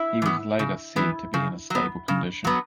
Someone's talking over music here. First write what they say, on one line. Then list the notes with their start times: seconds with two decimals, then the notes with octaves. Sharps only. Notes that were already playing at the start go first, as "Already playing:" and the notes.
He was later said to be in a stable condition.
Already playing: E4
0.22 E3 B3
0.59 C#3
0.96 E3 B3
1.34 C#3
1.70 F#3 B3
2.08 C#3
2.44 F#3 B3